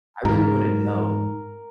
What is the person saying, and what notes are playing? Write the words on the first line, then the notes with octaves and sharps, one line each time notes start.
I really wanna know,
G#2 A#4